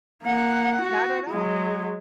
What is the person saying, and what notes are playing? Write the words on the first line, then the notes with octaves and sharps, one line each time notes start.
Not at all.
A#3 F#5
F#4
F#3 G#3